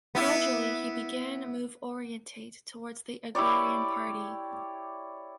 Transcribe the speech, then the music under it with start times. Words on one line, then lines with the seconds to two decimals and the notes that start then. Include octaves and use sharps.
Gradually he began move orientate towards the agrarian party.
0.15 B3 E4
3.35 E4 G4 C#5 D5